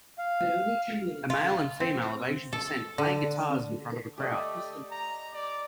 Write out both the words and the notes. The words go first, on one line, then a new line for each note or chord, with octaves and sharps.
A male and female of Asian descent playing guitars in front of a crowd.
F5
F4
C4
A4
D3
A3 G4 D5 D#5
A#5
D5